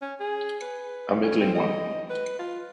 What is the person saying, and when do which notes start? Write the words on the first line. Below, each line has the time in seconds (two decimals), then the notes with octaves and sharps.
A middling one?
0.02 C#4
0.20 G#4
0.62 B4
1.21 C#4
1.41 C4
1.55 D#5
2.10 B4
2.39 F4